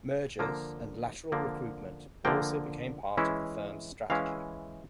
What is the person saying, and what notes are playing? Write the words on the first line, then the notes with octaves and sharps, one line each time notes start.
Mergers and lateral recruitment also became part of the firm's strategy.
D3 F3 A#3
D3 F3 A#3
D3 F3 A#3 G5
E3 G#3 C#4 E4
E3 G#3 C#4 E4 F5